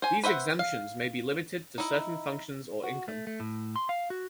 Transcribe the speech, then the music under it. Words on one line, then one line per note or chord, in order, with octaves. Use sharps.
These exemptions may be limited to certain functions or income.
C5 G#5
B4 C5 E5 F#5
F5
D#4 E4
F#4
A3
A3
A2
C6
F5
F#4